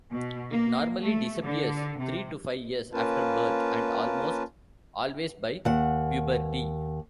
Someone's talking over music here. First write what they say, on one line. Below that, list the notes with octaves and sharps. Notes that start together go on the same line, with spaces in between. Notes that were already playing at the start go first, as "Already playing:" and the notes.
It normally disappears three to five years after birth and almost always by puberty.
B2
A#3
A3
D3
C3
A#3 C#4 F4 A#4 B4 A5
D#2 F#5